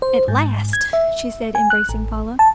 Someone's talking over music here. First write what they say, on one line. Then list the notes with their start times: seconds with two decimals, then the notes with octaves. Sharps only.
"At last," she said, embracing Paula.
0.02 C5
0.28 G#2
0.73 G#6
0.93 E5
1.55 G#5
1.70 F#6
1.89 A1
2.39 A5